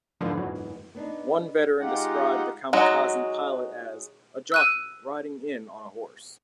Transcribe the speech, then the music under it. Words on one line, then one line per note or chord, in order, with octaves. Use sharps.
One veteran described the kamikaze pilot as: a jockey riding in on a horse.
E2 G#2 D3 F3 B4
F#2
B3 D4 D#4
G#3 D#4 F4 G4 F#5
F#3 G#3 D#4 F#4
E6 F#6 D#7